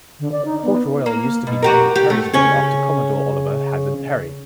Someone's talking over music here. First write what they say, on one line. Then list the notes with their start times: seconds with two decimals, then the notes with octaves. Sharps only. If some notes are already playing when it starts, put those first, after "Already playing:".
Port Royal used to be named Perrysville, after Commodore Oliver Hazard Perry.
0.20 D3
0.32 D5
0.45 D#4
0.63 B3
1.06 A#3
1.47 B2
1.63 F#4 G4 A#4
1.96 G4
2.10 A3
2.33 C#3 C#4 C#5